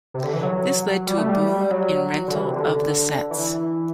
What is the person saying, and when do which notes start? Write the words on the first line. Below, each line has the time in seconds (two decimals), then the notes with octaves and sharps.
This led to a boom in rental of the sets.
0.14 C3
0.23 D3
0.33 E3
0.43 F#3
1.07 G3
1.18 A3
1.29 G3
1.61 G3
1.71 F#3
2.28 D3
2.35 E3
2.45 C3
2.56 D3
3.30 E3